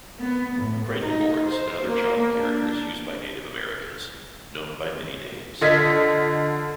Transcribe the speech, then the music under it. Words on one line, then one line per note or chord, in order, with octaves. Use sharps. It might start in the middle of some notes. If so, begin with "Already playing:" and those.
Cradle boards and other child carriers used by Native Americans, known by many names.
B3
A2
D#4
C5
A#3
D4
D3 F4 D#5 G#6 B6